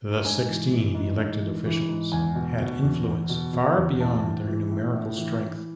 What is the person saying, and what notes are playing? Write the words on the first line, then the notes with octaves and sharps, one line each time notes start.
The sixteen elected officials had influence far beyond their numerical strength.
G#2 G#5
E3
E3
G#2
G#2
E3
E3
G#2
E2 G#5
B2
B2
E2
E2
B2
B2
E2
A2 A5
E3
E3
A2
A2
E3
E3